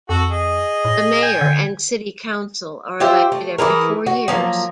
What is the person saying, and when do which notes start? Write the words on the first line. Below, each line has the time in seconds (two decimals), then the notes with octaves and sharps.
The Mayor and City Council are elected every four years.
0.09 F2 F#4 A4
0.30 G#4 D#5
0.85 A2
1.22 G5 G#5
1.41 D3
3.00 F4 G4 C5 E5
3.32 A3
3.58 E3 E4 G#4 A#4
4.06 F#4
4.28 F3 F#3 A#3